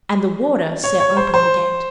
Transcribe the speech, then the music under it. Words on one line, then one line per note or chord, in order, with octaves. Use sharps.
And the Warder set open the gate.
C#5
C#5
C5
C5